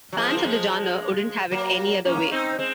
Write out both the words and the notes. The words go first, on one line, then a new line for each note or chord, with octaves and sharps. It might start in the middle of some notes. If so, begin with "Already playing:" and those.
Fans of the genre wouldn't have it any other way.
F#3
F3 G#3
C4
A#3
F3 G#3
F#3 A#3
A#3 C#4
C4 D#4
G#3 C4